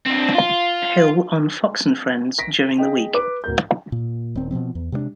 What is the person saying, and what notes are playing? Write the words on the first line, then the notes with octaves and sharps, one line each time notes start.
Hill on "Fox and Friends" during the week.
C4 D4
F4
A#6 B6 D7
G#4 D#5 G5
B4 D6
D1 F#4 A#4 G6
A#2
D#1 C4
B2 D#3 F3 C4
E2
C3 G#3 A#3 D4